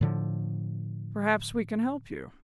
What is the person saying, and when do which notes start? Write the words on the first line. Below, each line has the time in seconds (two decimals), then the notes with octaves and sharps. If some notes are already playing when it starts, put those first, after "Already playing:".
Perhaps we can help you.'
0.01 A2 D3 F3